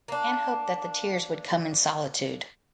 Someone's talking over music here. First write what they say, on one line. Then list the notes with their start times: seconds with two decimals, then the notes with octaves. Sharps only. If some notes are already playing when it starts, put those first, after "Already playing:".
Anne hoped that the tears would come in solitude.
0.08 A#3 D4